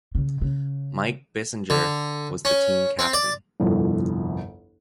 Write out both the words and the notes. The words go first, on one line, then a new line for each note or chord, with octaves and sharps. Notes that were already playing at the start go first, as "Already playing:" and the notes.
Mike Bissinger was the team captain.
C#3
C#3
D3
C#4
C4
D5
G1 C2 F2